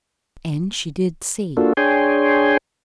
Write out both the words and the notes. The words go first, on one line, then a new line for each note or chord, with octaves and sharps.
And she did see.
A#3 D4 F4 F#4 A4
D4 G#4 C#5 G5 G#5 C6